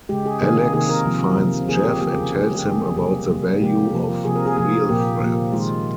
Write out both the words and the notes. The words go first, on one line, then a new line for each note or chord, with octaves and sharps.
Alex finds Jeff and tells him about the value of real friends.
C#3 G#3 G4
G#4
C3 D#3 A#3 G#4
G#4
C3 D#3 A#3 G#4
A#4
C3 F3 A#3
C3 F3 A#3
C#3 F3 A#3 G#4
G4
C#3 F3 A#3 G4
G#4
C#3 G3 A#3 G#4
G4
C#3 G3 A#3 G#4
G#4
C3 G3 A#3 G#4
C3 G3 A#3
C3 F3 A#3 G4
C3 F3 A#3
C3 F3 A#3 G#4
A#4
G#4
C3 F3 A#3 G#4
A#2 F3 A#3 G4
A#2 F3 A#3
D#3 G#3 F4